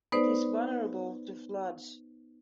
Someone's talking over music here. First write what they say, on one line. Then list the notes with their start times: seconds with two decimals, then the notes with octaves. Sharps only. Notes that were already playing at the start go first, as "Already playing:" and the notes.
It is vulnerable to floods.
0.12 B3 D#4 B4 C5 D5